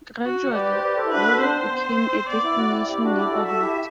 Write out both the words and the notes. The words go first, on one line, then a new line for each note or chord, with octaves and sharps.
Gradually LoDo became a destination neighborhood.
F#4
G4 B4 D5
C5
B4 D5
A4 C5
E4
D4 F#4 B4
F#4 A4
B3 D4 C5
C4
B3
C4
B3 D5
E4
F#4
C4 E4
E4 G4 D5
D4 F#4
E4 G4 D5
F#4 A4
F#4 A4 E5
F#4
E4 G4